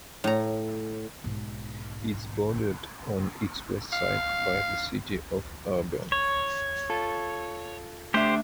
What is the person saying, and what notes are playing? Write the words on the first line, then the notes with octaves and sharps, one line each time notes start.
It is bordered on its west side by the city of Auburn.
A2 A#5
B1 G#2
F5
C#5
F4 A4
A3 D4 G4 C5 E5